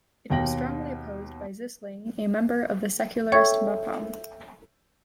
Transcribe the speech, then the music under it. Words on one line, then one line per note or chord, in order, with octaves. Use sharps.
It was strongly opposed by Zisling, a member of the secularist Mapam.
D#2 B2 G5 A#6 F#7
A4 C#5 E5 G5 C#6 G#6